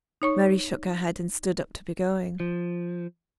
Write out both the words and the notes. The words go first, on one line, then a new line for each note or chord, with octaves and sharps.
Mary shook her head, and stood up to be going.
D#4 C#5 C#6
F3